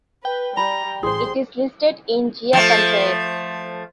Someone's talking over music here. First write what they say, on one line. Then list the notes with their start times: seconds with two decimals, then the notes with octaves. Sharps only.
It is listed in Jia panchayat.
0.25 B4 G5
0.57 G3 A#5 B5
1.03 A1 G#4 C5 C6
2.53 F3 A3